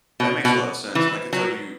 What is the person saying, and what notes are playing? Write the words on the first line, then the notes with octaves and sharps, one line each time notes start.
That makes a lotta sense, and I could tell you-
B2
B2
E3
F#3